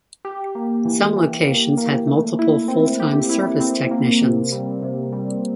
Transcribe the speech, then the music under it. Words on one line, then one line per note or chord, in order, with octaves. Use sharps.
Some locations had multiple full-time service technicians.
G4
A#3
E3
E3
A#3
A#3
A3
E4
C4
G4
E4
C4
A#3
C3
G3
C3
G3